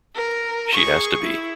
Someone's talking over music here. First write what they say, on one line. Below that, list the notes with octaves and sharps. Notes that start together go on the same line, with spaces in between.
She has to be.
A#4
G#4 C#6
E4